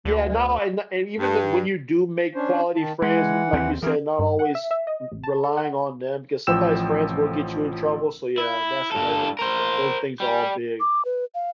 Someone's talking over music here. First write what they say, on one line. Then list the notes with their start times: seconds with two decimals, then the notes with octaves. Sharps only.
yeah, no, and the and even then, when you do make quality friends, l like you said, not always r relying on them because sometimes friends will get you in trouble, so, yeah, that's another t those things are all big.
0.05 D2
1.19 G2
2.35 C#4 D4 C5
2.76 D#3 A5
3.02 E3 G#3 F#5
3.53 D#2 C4
3.82 E3 C4 G#4 A#4
4.19 G2
4.39 F#5
4.55 E5
4.71 E5
4.87 D#5
5.12 A1
5.24 A5
5.44 A4
5.57 F#5
6.47 A1 F3 G5 E6 E7
8.38 E4
8.92 G2 A4
9.39 A#4 C5
10.20 G3
10.80 D6
11.05 B4
11.35 F5